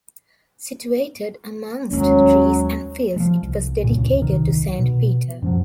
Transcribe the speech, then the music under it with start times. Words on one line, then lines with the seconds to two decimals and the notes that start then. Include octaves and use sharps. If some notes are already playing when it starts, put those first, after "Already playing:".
Situated amongst trees and fields, it was dedicated to Saint Peter.
1.91 D#2 F#3 G#3 C#4
3.16 F3 G#3
3.43 C2
3.83 D2 G2 A#2 C#3
4.19 D#1 C2 D#3
4.78 B2
5.42 F#2 F3 F#3